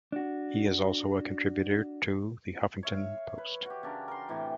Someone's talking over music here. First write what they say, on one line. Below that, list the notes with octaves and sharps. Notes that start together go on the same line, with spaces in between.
He is also a contributor to "The Huffington Post".
D4 F#4
C#5 E5 F5
B4
F#4 G4
C#3 D4 A#4
A#4 C6
A2 C3 E3